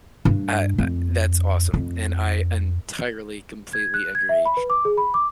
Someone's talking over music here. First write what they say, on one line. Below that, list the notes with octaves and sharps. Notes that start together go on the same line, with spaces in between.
I I that's awesome, and I entirely, completely agree,
G2 D4
F2
F2
G#6
F#6
G#6
E5
B5
B4
D6
G#4
B5
D6